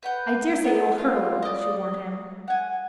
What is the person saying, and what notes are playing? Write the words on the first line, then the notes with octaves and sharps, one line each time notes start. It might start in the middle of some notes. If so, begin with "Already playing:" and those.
"I daresay it will hurt a little," she warned him.
B4 F#5 G5
B3 A#4
F4
D5 D#5
F#5 G#5